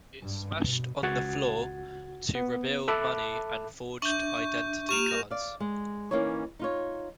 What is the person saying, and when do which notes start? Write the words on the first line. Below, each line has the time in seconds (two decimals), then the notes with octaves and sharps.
It smashed on the floor to reveal money and forged identity cards.
0.22 G2
0.58 B2
1.03 C#2 F#4 F#5 G#6 A6
2.35 B3
2.88 A4 E5 A5 B5 D6 F#6
4.02 D4 E5 C#6 G6
4.89 A#3 F4 G4 C#6 E7 F7
5.09 F4 A#4
5.31 D5 F5
5.60 G#3
6.11 E3 A#3 C#4 D#4 C#5
6.59 D#4 F4 C#5